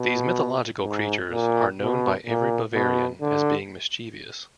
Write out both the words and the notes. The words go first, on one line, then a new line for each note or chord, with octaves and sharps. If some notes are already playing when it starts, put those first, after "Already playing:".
These mythological creatures are known by every Bavarian as being mischievous.
Already playing: B2
G#2
A#2
B2
A#2
B2
D3